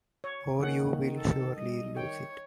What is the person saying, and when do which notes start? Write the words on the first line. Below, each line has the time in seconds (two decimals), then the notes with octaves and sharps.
Or you will surely lose it.
0.24 C#5
0.60 D#3 A#3 C#4 F#5
1.19 C3 A4
1.57 G3 D#5
1.97 D#3 G4 C#5 G5